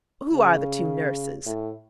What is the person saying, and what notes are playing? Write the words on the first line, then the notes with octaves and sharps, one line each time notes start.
'Who are the two nurses?'
C#3
A2